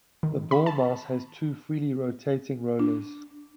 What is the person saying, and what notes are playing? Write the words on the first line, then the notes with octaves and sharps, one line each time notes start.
The ball mouse has two freely rotating rollers.
D#3
B5
A5
D4